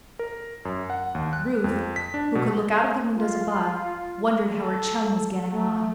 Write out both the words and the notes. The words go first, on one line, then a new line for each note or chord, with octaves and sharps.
Ruth, who could look out of the windows above, wondered how her chum was getting on.
A#4
F#2
F#5
D#2
F#6
F2
B6
D4
B2
F4
A4
A3